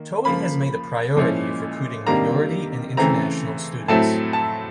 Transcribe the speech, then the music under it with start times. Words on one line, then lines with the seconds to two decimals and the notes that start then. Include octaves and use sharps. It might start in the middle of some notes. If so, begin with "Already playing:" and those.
Towey has made a priority of recruiting minority and international students.
Already playing: D#3 A#3
0.25 C#3 F3 A#3 B5
1.16 A#2 F3 G#3 C#4 E4
2.06 C3 D#3 G3 A#3 D4 A#5
2.97 C#3 E3 A3 C4 A#5
3.88 A2 F#3 A3 C4 E4 A5
4.33 A5